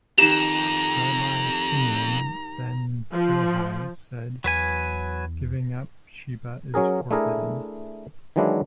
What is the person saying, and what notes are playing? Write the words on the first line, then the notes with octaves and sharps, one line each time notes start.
Rabbi Simeon ben Johai said giving up Sheba is forbidden.
F2 D#3 G4 A#5 E7
F3
E2 F#3 B4 G#5
F#3 C#4 G#4 A#4
A3 D4 E4 G#4 A#4
D#3 E3 F#3 G#3 D4 E4